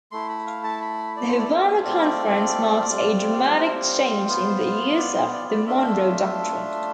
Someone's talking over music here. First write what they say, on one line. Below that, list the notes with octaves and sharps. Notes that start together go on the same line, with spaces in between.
The Havana Conference marked a dramatic change in the use of the Monroe Doctrine.
A3 E4 C6
B5
F5
A5
B5
D5
C5
D5
A3 C4 F4 E5
D5
G3 C4 F4
C5
B3 F4
D5
C5
D5
D5
A3 D4 F4 E5